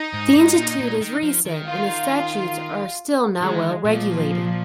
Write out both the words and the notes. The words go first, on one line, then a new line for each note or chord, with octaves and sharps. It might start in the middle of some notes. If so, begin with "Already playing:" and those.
The institute is recent and its statutes are still not well regulated.
Already playing: D#4
G#2
G#2
A#2
A#2
D#3
F3
D#3
F4
D#3 G#3
A#2 F3